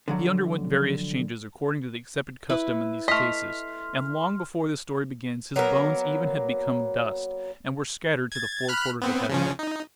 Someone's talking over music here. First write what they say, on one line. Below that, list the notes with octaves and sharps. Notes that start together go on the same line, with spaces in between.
He underwent various changes according to the accepted custom in these cases, and long before this story begins his bones even had become dust, and were scattered to the four quarters of heaven.
D3 F3 F#3
E4 B4
A3 D#5 C6 F6 B6
F#3 A#3 B3 A#4
G#6 A6
B5 F6 F#6
B3 C4
C#3 F3 C#4
D#4